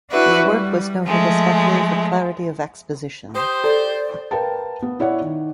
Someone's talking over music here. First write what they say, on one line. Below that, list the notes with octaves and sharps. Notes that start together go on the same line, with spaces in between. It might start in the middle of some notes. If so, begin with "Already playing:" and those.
His work was noted especially for clarity of exposition.
D4 E4 F#4 B4 E5
G3
F3 G#3 A3
G4 C5 D#6
A4 D5
A#4 B4 F5 G5 A5
B3
E4 C#5 D5 F#5
D#3